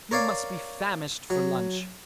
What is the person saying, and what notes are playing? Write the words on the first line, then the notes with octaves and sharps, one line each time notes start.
You must be famished for lunch.
A#4 C#5 D5 F5
F#3